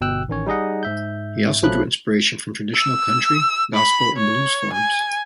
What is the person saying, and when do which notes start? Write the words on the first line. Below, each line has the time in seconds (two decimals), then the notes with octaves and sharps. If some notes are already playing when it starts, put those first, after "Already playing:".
He also drew inspiration from traditional country, gospel, and blues forms.
0.01 G1 B2 G5 E6 F#6
0.28 A1 D#3 C#4 C#5
0.46 G3 D#4 G#4 D#5 F#5
0.83 G#2 E5 G6
1.63 A#1 F3 F#3 A3 B5 F#6
2.75 E6
3.74 B5
4.16 C#5
4.73 G#5